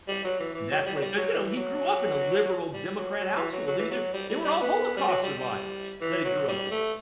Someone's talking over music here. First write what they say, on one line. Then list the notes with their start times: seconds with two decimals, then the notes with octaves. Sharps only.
That's what it because, you know, he grew up in a liberal democrat household, they were they were all holocaust survivors, that he grew up with.
0.08 G3
0.24 F#3
0.40 E3
0.55 E3
0.71 F#3
0.86 G3
0.96 F#3
1.02 G3
1.18 F#3
1.33 E3
1.56 F#3
2.74 G3
2.97 F#3
3.20 F#3
3.36 E3
3.52 F#3
3.67 F#3
3.79 E3
3.90 F#3
4.13 G3
4.29 G3
4.45 G3
4.61 B3
4.97 G3
5.08 F#3
5.23 G3
5.39 G3
6.01 E3
6.25 F#3
6.48 G3
6.71 A3